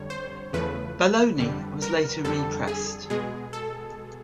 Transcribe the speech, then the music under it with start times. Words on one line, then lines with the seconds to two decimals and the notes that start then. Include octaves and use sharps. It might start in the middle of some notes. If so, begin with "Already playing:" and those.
"Baloney" was later re-pressed.
Already playing: F2 D3 G3 C#5
0.10 C5
0.53 E2 C#3 F3 A3 B4
1.39 F2 D3 G3
1.82 A#4
2.25 F2 D3 G3 A4
2.67 G#4
3.10 B2 G#3 G#4
3.53 A4